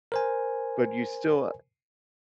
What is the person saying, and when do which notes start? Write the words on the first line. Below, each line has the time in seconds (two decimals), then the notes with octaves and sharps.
but you still
0.12 A#4 C5 G#5